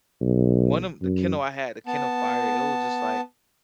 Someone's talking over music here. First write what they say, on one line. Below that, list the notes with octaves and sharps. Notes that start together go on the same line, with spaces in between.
one of the Kindle I had- the Kindle Fire- it was just like
B1
F#2
B3 A5